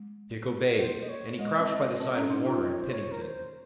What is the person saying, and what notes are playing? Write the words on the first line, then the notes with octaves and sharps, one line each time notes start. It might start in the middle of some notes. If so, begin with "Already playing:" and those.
Dick obeyed, and he crouched by the side of Warner and Pennington.
Already playing: G#3
A#3 C5
D#5
C#5
G#3 D#5
C4
C4
C#4
D#4
F4
D#5
C#5
C5
C#5
A#4
C5